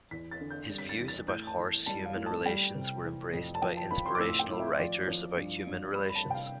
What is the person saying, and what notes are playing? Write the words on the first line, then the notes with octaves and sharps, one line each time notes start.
His views about horse-human relations were embraced by inspirational writers about human relations.
E2 B6
A6
D3
G6
G3
B6
A6
E2
A6
A2 G6
A5
E3
G3 A5
F5
A2
A5
G3 G5
C3
E3
F2
A5
F3 G5
A5
F3 B5
C6
D6
A2 E6
G5
A2
E5
F3 D5
F3
G2
G2
G3 B5
B5
A5
C3
G5
F5